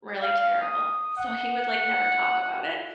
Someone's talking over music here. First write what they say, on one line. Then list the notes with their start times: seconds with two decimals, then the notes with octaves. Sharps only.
really terrible. So he would, like never talk about it,
0.22 F5
0.61 D#6
1.17 F#5